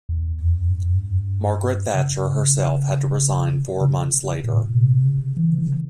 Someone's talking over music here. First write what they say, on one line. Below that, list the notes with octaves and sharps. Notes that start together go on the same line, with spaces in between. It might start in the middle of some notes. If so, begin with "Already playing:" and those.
Margaret Thatcher herself had to resign four months later.
E2
F2
G2
F2
G2
C#3
C#3
A#2
G#2
A#2
C3
C#3
E3
E3
C#3